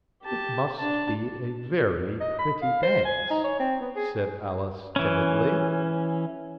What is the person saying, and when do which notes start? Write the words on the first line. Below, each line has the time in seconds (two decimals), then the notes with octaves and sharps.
'It must be a very pretty dance,' said Alice timidly.
0.23 G4 A5
0.79 D4 A5
2.20 D#5
2.39 B5
2.62 F5
2.83 C5
3.05 G#5
3.31 D#4
3.44 C#5
3.60 C4
3.81 B3
3.96 G#4
4.96 E3 C#4